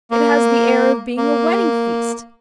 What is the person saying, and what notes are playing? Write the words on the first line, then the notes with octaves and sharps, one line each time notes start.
It has the air of being a wedding feast.
A#3
A#3